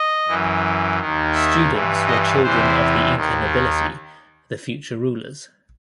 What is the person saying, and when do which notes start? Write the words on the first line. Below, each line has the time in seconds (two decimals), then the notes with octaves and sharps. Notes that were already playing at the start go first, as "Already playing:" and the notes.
Students were children of the Inca nobility, the future rulers.
Already playing: D#5
0.28 F#2 E3
1.00 D#2 D#3
1.35 E5
1.70 G2 E3
2.07 D#5
2.43 E2 C3 E3 C5
3.14 D#2 D#3